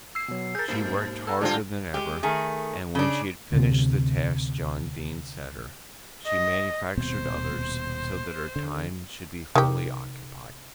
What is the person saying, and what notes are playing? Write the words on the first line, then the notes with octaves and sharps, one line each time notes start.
She worked harder than ever and, when she had finished the tasks John Dene set her, she manufactured others so that her time should be fully occupied.
E6 C7
B2 F#3
G#4 A#4 G6 A6
G#2 B2 A#3 D#4
A4 F#5 A#5 E6
D3 G3 C4 D4 F4 G#5
G#3 G4
D#3 A3 G#4
C#3 D4
D2 C3
D#5
D#1 B2 C4 C5
D3
C3 D#3 G4